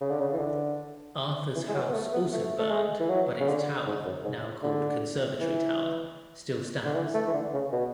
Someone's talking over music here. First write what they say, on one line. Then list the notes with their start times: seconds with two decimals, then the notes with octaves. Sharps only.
Arthur's house also burned, but its tower, now called "Conservatory Tower," still stands.
0.01 C#3
0.10 D3
0.20 C#3
0.33 E3
0.39 D3
1.55 E3
1.69 G#3
1.74 F#3
1.88 B3
1.94 A3
2.13 B3
2.32 A3
2.59 A3
2.70 G#3
3.00 E3
3.10 F#3
3.40 C#3
3.48 D3
3.86 G#2
4.05 F#2
4.25 G#2
4.63 D3
5.41 E3
6.85 D3
6.95 E3
7.14 A3
7.27 E3
7.34 D3
7.53 C#3
7.72 B2